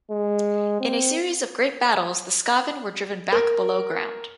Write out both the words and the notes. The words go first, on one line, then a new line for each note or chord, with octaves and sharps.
In a series of great battles the Skaven were driven back below ground.
G#3
C4
A#4